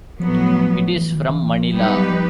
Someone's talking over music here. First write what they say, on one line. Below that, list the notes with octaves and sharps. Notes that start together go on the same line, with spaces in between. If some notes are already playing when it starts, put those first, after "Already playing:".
It is from Manila.
A2 F3 F#3 B3
E3
D#3
D#3
E3
F3
F#3 G3 B3 D#4 G4 B4
F#3
F3